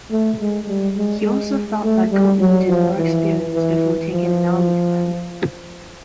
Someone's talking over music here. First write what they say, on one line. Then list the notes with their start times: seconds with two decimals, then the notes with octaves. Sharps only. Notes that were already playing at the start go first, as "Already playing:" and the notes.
He also felt that Gott needed more experience before taking an army command.
0.11 A3
0.41 G#3
0.68 G3
0.98 G#3
1.26 G#3
1.84 A3
2.12 G3
2.40 F#3
2.69 F3
2.98 E3
3.55 E3
4.12 F3